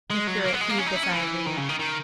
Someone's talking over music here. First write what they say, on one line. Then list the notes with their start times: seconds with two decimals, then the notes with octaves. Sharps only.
The curate heaved a sigh of relief.
0.10 G#3
0.27 F#3
0.44 A#3
0.53 B3
0.61 G#3
0.69 A#3
0.78 C#4
0.87 D#4
0.95 E4
1.03 C#4
1.12 E3
1.46 D#3
1.57 C#3
1.69 D#3
1.79 D#3